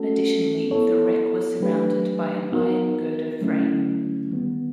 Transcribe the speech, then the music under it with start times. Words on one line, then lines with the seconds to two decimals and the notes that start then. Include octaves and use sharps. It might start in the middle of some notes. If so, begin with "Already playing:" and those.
Additionally the wreck was surrounded by an iron girder frame.
Already playing: A3 C#4 F#4 A4
0.71 B3 E4 A4 C#5
1.60 F#3 A3 D4 G4 B4
2.51 B3 D#4 F#4 A#4
3.41 D3 F#3 A3 C#4 E4
4.31 D#3 G3 B3